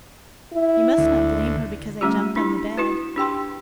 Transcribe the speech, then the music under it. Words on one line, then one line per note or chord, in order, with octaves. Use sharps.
You must not blame her because I jumped on the bed.
E4
D2
G3 A3 C#4 F4 G4
D4 E4 G4
E4 F#4 B4
D4 G4 G5 C6